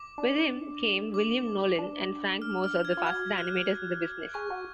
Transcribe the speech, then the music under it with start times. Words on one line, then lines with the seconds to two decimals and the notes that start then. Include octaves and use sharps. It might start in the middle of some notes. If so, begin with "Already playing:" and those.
With him came William Nolan and Frank Moser, the fastest animators in the business.
Already playing: D6
0.18 D4
1.14 D6
1.79 D4
2.42 F6
2.64 F6
2.85 G#6
2.97 F4
3.06 F#4 G#6
3.38 F#6
4.34 G#4 C#6
4.50 F#4